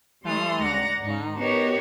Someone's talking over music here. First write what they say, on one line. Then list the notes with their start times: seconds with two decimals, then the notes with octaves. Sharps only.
Oh, wow.
0.24 G3 A3 A5 C6 D#6 F6
0.60 D2 G#3 D5 F#5 A#5 A#6
0.99 G#2 D#4
1.36 B3 D#4 F#4 G4 A#4 C#5